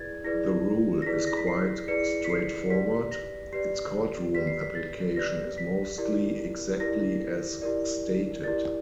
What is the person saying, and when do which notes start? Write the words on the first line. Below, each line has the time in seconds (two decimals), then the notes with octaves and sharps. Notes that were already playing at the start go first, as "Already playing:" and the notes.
The rule is quite straightforward; its court room application is mostly exactly as stated.
Already playing: E4 G#4 B4 D5 G#6 A6
0.24 E4 G#4 B4 D5 A#6
1.02 A#6
1.06 E4 G#4 B4 D5 B6
1.27 A#6
1.37 B6
1.47 C7
1.88 E4 G#4 B4 D5 C#7
2.24 B6
2.30 C7
2.70 G4 B4 D5 B6
3.11 A#6
3.53 G4 B4 D5 C7
4.34 G4 B4 D5 B6
4.47 C7
4.62 B6
4.75 A6
5.16 G4 B4 D5 A#6
5.58 B6
5.98 E4 G4 A#4 D5
6.80 E4 G4 A#4 D5 A#6
7.62 E4 G4 A#4 D5
8.44 E4 G4 A#4 D5 A6